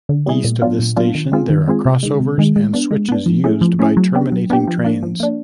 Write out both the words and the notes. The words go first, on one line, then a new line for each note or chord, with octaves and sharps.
East of this station, there are crossovers and switches used by terminating trains.
D3
G3 B3 E4 G#4
A#2
F#3 B3 D4 F4
A#2
F#3 B3 D4 F4
D#3
G#3 C4 F4 G#4
D#3
G#3 C4 F4 G#4
C3
D#3 G#3
C3
D#3 G#3
G#3
B3 D4
G#3
B3 D4
F3
A3 C#4 E4 G#4
F3
A3 C#4 E4 G#4
F#3
B3 D4 G4
F#3
B3 D4 G4
F3
A#3 D4
F3
A#3 D4